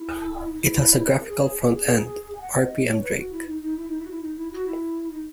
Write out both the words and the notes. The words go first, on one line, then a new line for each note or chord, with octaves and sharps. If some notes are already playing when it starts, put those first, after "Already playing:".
It has a graphical front-end: Rpmdrake.
Already playing: E4
D#4
E4
A#4
G#4
G#4
G#4
G#4
G#5
F#5
C#5
D#5
C#5
B4
F#4
E4
D#4
D#4
E4
D#4
E4
F#4
E4
D#4
E4
F#4
E4
D#4